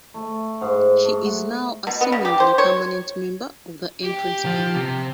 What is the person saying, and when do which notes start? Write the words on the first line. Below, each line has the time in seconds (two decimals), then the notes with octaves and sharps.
She is now a seemingly permanent member of the Entrance Band.
0.14 A3
0.61 G#2
1.05 A3
1.25 F#5
1.87 B2
2.01 B3
2.12 C#3
2.25 G4
2.40 C5
2.58 C#5
4.03 G4
4.45 F3
4.76 C3